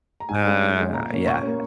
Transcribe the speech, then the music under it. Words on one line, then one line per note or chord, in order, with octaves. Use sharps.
Uh, yeah.
A#5
G#2 G#5
G#3 C#4
G#2
G#3 C#4
A#2 A#5
A#3 C#4
A#2 C#6
A#3 C#4